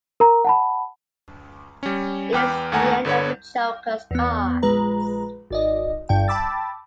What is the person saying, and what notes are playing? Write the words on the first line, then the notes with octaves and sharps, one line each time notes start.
It's the end of the Joker's Cards.
A#4 A#5
F#5 A5 B5
G3 C#4
E2 B4 G5 D6 F6
G1 D#2 A3 F#5 G#5 A#5
G1 D3 B4 C#5
E2 B3
A#1 G#3 B4 A#5
G#1 D5 D#5
G1 G2 G5
G5 A5 B5 D6 E6 A6